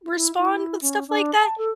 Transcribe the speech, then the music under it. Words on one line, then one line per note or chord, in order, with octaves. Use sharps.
respond with stuff like that.
E4
E4
C#4
D4
A5
A4